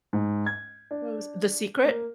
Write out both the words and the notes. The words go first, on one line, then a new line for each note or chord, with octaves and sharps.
what was The Secret
G#2
G#6
D4
A#3